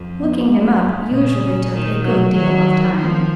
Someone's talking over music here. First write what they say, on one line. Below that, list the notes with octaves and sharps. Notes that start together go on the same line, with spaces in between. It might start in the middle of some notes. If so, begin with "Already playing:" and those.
Looking him up usually took a good deal of time.
Already playing: F2
B3
F#2 A#3
F#3
G#2 G#3
A#2 C#3
A#2 D#3
B2 F#3
F3
D#3 F#3
F3
D#3 F3